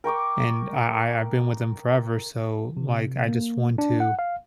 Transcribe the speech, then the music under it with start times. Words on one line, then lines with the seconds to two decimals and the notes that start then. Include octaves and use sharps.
and I I I've been with them forever. So, like, I just want to
0.04 A#4 G5 C#6 D6
2.77 C3
3.28 A#3
3.78 D4
4.00 F#5
4.19 F5